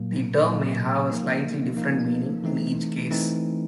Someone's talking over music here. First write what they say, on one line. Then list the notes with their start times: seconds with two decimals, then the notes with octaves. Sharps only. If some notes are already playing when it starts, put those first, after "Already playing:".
The term may have a slightly different meaning in each case.
Already playing: A#2 F#3 A#3
0.43 A#2 F#3 A#3
1.10 F3 A#3 D#4
1.77 F3 A#3 D#4
2.44 E3 A3 C4 D#4
3.11 E3 A3 C4 D#4